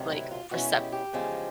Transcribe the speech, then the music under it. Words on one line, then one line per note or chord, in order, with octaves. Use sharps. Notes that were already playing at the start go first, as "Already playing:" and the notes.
r like, percept
Already playing: D2 C3 D#3 F#3
E4
F4
B2 G#3 C#4 E4 F#4
G4
G4
E2 C#3 F3 G#3